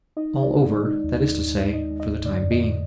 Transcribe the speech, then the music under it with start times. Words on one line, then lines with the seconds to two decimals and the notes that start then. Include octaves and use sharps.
All over, that is to say, for the time being.
0.17 D#4 D#5
0.34 D#3
0.43 D5
0.51 D#3
0.69 G#3
0.87 D#4
1.04 D#2
1.21 D#4
1.38 D#2
1.56 G#3
1.73 D#4 D#5
1.91 G#3
2.00 D#5
2.08 D#2
2.26 D3 D5
2.43 F2
2.52 D#5
2.60 D3